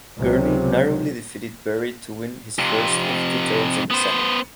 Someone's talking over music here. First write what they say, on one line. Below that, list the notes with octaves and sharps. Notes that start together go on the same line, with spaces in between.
Gurney narrowly defeated Berry to win his first of two terms in the Senate.
C#2 C3 F#3
F2 C3
B3 C5